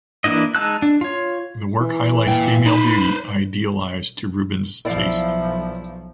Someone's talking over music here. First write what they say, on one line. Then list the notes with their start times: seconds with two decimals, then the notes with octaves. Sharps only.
The work highlights female beauty, idealized to Rubens’ taste.
0.24 E3 A#3 D4 E4 D#5
0.55 G#3 D#4 A5 E6 F#6
0.82 D4
1.01 F4 C#5
1.80 E3
2.27 A#2 G5
2.66 D#4 B4 C5
4.85 B1 F3 E4 D5 F5